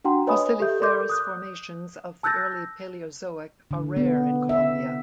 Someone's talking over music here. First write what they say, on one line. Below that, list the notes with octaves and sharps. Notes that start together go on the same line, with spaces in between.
Fossiliferous formations of the Early Paleozoic are rare in Colombia.
D4 F#4 F#5 G5 A#5 C6
B4 C#5 D#5 G#5 B5 D#6
G4 A4 E5 G6
A4 A#4 D5 C6 D6 G6
D#6 F#6 G6
A5 E6 F#6 G6 A6 A#6
D3
B3
E5